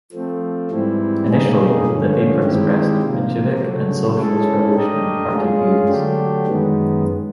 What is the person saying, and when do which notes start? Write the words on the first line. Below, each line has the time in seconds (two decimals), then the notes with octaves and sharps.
Initially, the paper expressed Menshevik and Socialist-Revolutionary Party views.
0.13 F3 A3 C4
0.70 G#2 E3 G3 C4 E4
1.28 B2 G3 A#3 D#4 G#4
1.85 G2 D3 F3 A3 C#4
2.44 D#3 G#3 C4 E4 G4
3.01 C3 F3 A#3
3.59 C#3 F#3 A3
4.16 G#3 C#4 E4 A4
4.74 A3 D4 G4 A#4 D#5
5.32 G#3 C#4 F4 G#4
5.89 D3 F#3 A3 D4 G4
6.46 F#2 D#3 G#3 B3